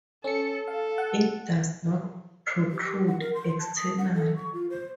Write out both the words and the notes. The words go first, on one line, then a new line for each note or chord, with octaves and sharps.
It does not protrude externally.
C#4 A4 C#7
A4 F5
F#5
G4
F#5
A#4
C6
A5
D#6
F#5
A4
C#6
F4
C5